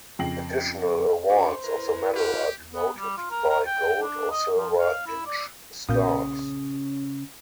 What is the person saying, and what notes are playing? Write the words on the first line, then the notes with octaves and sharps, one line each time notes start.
Additional awards of the medal are denoted by gold or silver inch stars.
F2 C#3 G5 A#6 C7 F#7
F#2 D4 F#4 C5 C#5
E4 A#4 B4
F#4 G4 F5
B3
G3
F4
A#4
A#4
G5
D4
D#5
F3
F5
E4
D5
B1 A#2 C#3 C#4 D#6 G6